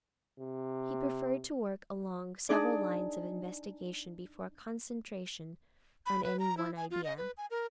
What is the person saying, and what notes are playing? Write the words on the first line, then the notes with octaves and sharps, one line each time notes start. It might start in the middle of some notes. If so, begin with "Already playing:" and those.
He preferred to work along several lines of investigation before concentration on any one idea.
C3
D4 D#4 G#4 D5
B5
B4
A#5
E4
G#5
F4
D#5
B4
G#5
A#4